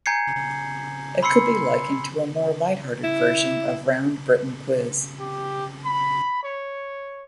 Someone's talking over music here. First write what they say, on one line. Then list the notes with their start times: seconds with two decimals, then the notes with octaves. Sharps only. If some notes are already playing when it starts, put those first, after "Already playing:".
It could be likened to be a more light-hearted version of "Round Britain Quiz".
0.06 G#5 A#5 G6 G#6 C7 C#7
1.23 B5 C6 E6 C7 C#7
3.04 E4
5.20 G4
5.85 B5
6.43 C#5